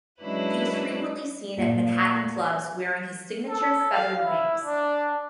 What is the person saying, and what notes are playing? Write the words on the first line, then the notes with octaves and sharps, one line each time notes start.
He was frequently seen at Manhattan clubs wearing his signature feathered wings.
F#3 G#3 C#4 D4 E4 B4
A#2
A4
F5
E4
D4